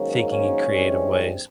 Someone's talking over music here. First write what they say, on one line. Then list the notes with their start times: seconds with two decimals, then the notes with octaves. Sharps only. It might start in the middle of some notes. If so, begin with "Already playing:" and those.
thinking in creative ways.
Already playing: G#2 D#3 F#3 A#3 C#4
0.30 C#4
0.66 G2 E3 G#3 C4